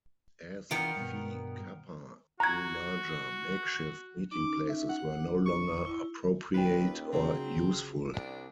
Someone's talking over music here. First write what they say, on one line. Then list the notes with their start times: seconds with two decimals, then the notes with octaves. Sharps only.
As Phi Kappa grew larger, makeshift meeting places were no longer appropriate or useful.
0.71 D#3 E3 B3 D4 F4 A#4
0.96 G2 B2
2.40 F#4 A#5 G#6
4.31 C#4 D#4 D6
4.69 E5
4.89 F#5
5.17 D4
5.46 C#6
5.86 E4
6.54 D#2 C#4 F4 B4 G5
7.13 C#3 F#3 C4
8.13 C2 D4